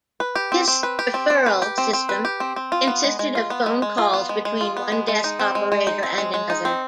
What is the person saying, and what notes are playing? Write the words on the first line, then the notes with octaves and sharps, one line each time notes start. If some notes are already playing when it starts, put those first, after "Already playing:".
This "referral system" consisted of phone calls between one desk operator and another.
B4
G4
C4
C4
B4
G4
C4
C4
B4
G4
C4
C4
B4
G4
C4
C4
F4
B3
G#3
G#3
F4
B3
G#3
G#3
F4
B3
G#3
G#3
F4
B3
G#3
G#3
D#4
C4
G#3
G#3
D#4
C4
G#3
G#3
D#4
C4